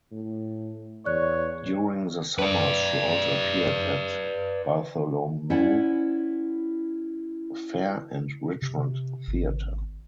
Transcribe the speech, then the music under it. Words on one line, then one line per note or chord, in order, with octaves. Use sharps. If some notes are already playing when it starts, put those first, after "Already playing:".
During the summers she also appeared at Bartholomew Fair and Richmond Theatre.
A2
E2 C#5 D5 F#6
B4 D5
C#4 E4 C5 D5 F#5
C3
G#1